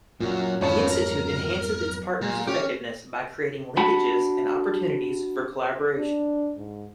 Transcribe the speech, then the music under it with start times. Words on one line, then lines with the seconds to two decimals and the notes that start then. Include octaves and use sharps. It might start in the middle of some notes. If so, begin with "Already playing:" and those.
The institute enhances its partners' effectiveness by creating linkages and opportunities for collaboration.
0.20 F#2 A#2 F#3
0.61 B1 F2 G#2 C#4 C#5 A5 B5
0.90 A#4
2.21 A#2
2.47 C#4 G4
3.77 D4 F#4 A5 B5
5.97 D4
6.57 G#2